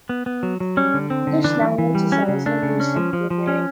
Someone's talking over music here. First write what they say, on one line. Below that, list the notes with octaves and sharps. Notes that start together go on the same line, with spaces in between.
English language is also used in Brunei.
B3
B3
F#3
F#3
G3 C#4
D3
C4
D3
E3 D4
E3
E3
G3
F#3 C#4
C#3
A3 D4
C#3
C#4
F3
F3
F3
C#4